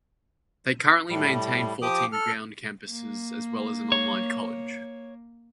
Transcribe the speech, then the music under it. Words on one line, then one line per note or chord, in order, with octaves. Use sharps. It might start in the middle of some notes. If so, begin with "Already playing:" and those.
They currently maintain fourteen ground campuses as well as an online college.
A2 G3
F3 G4 D6 D#6
A4 F6
A#3
C#5